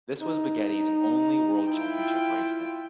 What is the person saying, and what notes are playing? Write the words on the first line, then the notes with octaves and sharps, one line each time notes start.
This was Baghetti's only World Championship race win.
D#4
E4 F4 G5